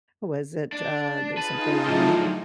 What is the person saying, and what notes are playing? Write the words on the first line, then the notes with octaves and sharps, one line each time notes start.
what was it, uh, there's something on
D4
D#4 F4 G#4 B4 A5
A2 D3 F3 F#3